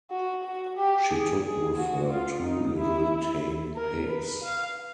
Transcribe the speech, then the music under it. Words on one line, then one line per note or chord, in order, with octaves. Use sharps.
She took with her two little tame pigs.
F#4
F#4
G4
G#4
G#4
F#4
F4
D#4
E4
A#4
B4
F5